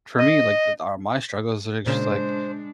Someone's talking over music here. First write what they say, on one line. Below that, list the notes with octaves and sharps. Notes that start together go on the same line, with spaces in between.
for me, like, the th are my struggles are just like
D#5
A#2 C#3 G#3 D4 C5 E7